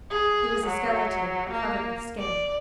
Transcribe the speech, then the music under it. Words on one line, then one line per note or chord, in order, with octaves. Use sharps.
He was a skeleton covered with skin.
G#4
F#3
A#3
D5